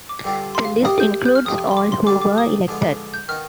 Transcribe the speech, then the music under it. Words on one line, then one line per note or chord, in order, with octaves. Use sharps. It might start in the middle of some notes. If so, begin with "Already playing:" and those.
The list includes all who were elected.
D6
G2 D3 G3 C4 F4
C6
F5
C2 C3 G3 C4 G4 D#6
G6
G6
F6
F2 C3 F3 D#6
C6
D6
C6
D3 G3 D4 D6
D6
D#6
D3 F3 G#3 B3
G6
D#3 B3 D#4 F6